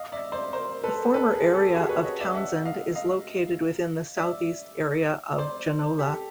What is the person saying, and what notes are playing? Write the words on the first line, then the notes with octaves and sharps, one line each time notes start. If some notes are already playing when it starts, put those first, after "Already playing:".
The former area of Townsend is located within the southeast area of Genola.
Already playing: D#5 F5
D5 E5
C5 D5
A#4 C5
A4 B4
A4 B4
G#4 A#4
G4 A4
G4
F#4 G#4
B4 C#5
C#5 D#5
D5 E5
E5 F#5
D#5 F5
D#5 F5
D5 E5
C5 D5
G4 A4